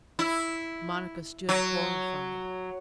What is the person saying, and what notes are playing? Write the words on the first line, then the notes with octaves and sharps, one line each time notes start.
Monica stood horrified.
E4
F#3